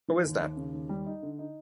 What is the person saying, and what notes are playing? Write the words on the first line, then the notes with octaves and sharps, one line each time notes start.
Who is that?
E3
D#2
D#2
C#3
D#2
G3
D#4
D3
D#4